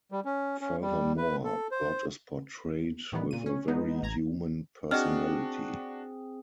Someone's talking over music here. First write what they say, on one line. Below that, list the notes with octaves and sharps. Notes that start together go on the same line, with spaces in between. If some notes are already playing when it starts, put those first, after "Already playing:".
Furthermore, God is portrayed with a very human personality.
G3
C#4
C#4
G3
B4
A4
C5
A2 D#3 E3 G3 B3
A#2 D#7
C#4
G#3 B3 D#4
A1 A#5 G#6
C4 D4 F#4 G#4 D#5 F6